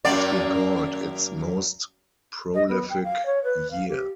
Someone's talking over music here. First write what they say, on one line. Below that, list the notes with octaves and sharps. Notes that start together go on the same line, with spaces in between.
It's been called its most prolific year.
F#2 A#3 D5
D#5
B3
G5
F5
C#5
B4
F5
G4